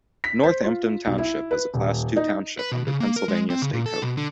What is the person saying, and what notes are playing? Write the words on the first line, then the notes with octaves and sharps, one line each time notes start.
Northampton Township is a class two township under Pennsylvania State Code.
B6
C5
F4
B1
E4
B4
D#1
D#4
B4
B2
C#3
A#3
A#4
G#3
C4
C#3
A#2
A4
B2
D3